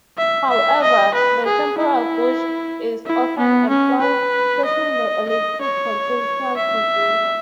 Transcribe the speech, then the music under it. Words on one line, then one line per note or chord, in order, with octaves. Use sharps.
However, the temporal gauge is often employed, setting the electric potential to zero.
E5
E5
D#5
B4
G#4
E4
E4
B3
C#4
B4
D#5
D#5
C#5
E5